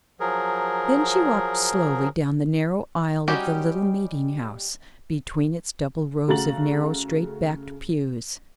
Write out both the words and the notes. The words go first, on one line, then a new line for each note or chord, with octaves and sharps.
Then she walked slowly down the narrow aisle of the little meeting-house, between its double rows of narrow straight-backed pews.
F3 F#3 G#4 A#4
G3 C#4 D#4 F#4 G4
C#3 A3 F#4 A#5 A6 F#7